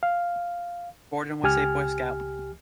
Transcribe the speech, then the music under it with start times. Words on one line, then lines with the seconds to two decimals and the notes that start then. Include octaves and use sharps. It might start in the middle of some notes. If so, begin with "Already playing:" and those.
Gordon was a Boy Scout.
0.03 F5
1.43 C#2 G4 G#5 F6